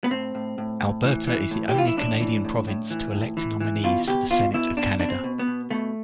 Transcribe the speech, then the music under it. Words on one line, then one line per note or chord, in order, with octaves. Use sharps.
Alberta is the only Canadian province to elect nominees for the Senate of Canada.
B3
A2 C4
A2
A2
A2
E3
E3
A2
G4
E3 F4
E4
A2 D4
E3
A2
A2
E3
A2
E3
E3
B2 F4
B2 G4
B2 F4
B2 E4
B2 D4
B2 D4
C4
B2
B3
B2
B2 A3